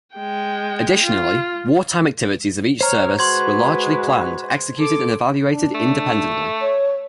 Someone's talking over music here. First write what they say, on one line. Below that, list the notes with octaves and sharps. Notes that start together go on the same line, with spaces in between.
Additionally, wartime activities of each service were largely planned, executed, and evaluated independently.
G#3 G5
F4
C5 C#5 A#5 F6
G#3 F#4 B4 C6 G#6
A4 D6
D4
A3
C#5